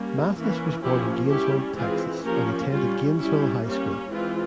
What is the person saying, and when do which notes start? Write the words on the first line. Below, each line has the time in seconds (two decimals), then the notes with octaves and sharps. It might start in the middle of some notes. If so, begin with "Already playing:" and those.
Mathis was born in Gainesville, Texas, and attended Gainesville High School.
Already playing: G3 A#3 C#4
0.36 E3 A#3 C#4
0.83 F3 A#3 C#4 E4 G4
1.30 G3 C#4 E4 G4
1.77 E3 G#3 C4 F4 G#4
2.24 F3 A#3 C#4 G4 A#4
2.71 G3 C#4 F4
3.18 G3 C#4 E4
3.65 G3 A#3 C#4
4.12 E3 G#3 C4 F4